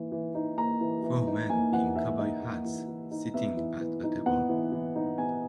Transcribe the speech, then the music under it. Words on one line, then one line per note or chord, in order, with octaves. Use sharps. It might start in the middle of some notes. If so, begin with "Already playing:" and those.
Four men in cowboy hats sitting at a table.
Already playing: E3 A#3
E3
D#4
A#3 A#5
E3
E3
D#4
A#3 G#5
E3 F#5
E3 E5
D#4 D#5
A#3
E3
E3
D#4
B3 E5
E3
E3
D#4
B3 F#5
E3
E3
D#4
B3 G#5